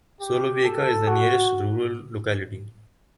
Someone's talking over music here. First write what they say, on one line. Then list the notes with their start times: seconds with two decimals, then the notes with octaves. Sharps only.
Solovyevka is the nearest rural locality.
0.21 G4
0.64 A4
1.08 F#4